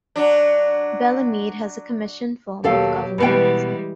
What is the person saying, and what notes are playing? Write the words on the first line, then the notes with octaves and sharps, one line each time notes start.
Bellemeade has a commission form of government.
F#3 D4
D#2 B2 F#3 G4 A4 F5
B2 E3 G3 G#3 B3 G5